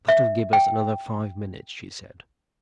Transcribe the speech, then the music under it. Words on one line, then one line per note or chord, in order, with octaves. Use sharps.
"That'll give us another five minutes," she said.
E5
G5